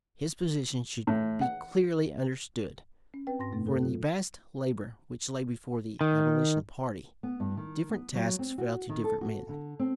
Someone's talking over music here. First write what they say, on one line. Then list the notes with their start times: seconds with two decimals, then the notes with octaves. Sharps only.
His position should be clearly understood; for in the vast labor which lay before the abolition party different tasks fell to different men.
1.07 A2
1.41 F#5
3.14 C#4
3.27 C4 B4 G5
3.39 G#2 C6 A#6
3.51 F#2 B2 A3 B3 D#4
3.67 A4
3.83 A#2 F#3 F4
6.01 D#3
7.23 B3
7.40 G2
7.57 D#3
7.90 B3
8.15 F#3
8.39 C4
8.58 F#4
8.89 D#3
9.04 A4
9.21 F#4
9.49 D3
9.79 C4